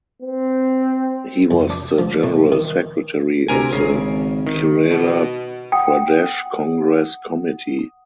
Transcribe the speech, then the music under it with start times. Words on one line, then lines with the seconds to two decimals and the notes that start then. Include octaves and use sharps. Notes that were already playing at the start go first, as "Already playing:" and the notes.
He was the general secretary of the Kerala Pradesh Congress Committee.
0.22 C4
1.51 F2
1.70 D4
1.98 F3
2.23 A2
2.52 D#3
3.48 D2 C3 A#4 G#5
3.73 G#1 C#3
4.47 D#3
4.91 B2
5.72 F#5 G5 D#6